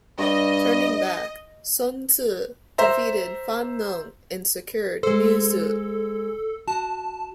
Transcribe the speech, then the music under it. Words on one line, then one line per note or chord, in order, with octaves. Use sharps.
Turning back, Sun Ce defeated Fan Neng and secured Niuzhu.
G2 D#5
C5 E5 A#5
G#3 A4 C5
F#4 A5